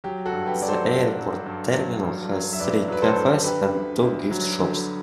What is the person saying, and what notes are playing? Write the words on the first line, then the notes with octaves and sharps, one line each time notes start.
The airport terminal has three cafes and two gift shops.
F#3 G4
F#4 A4
G2
G4 B4
F#3 D5
A4 C5
G2
F#3
G2
F#3
G2
F#3
E5
G2 B4 D5
F#3 B4
A4 C5
G2
D3 G4 B4
D2
D2
F#3
D3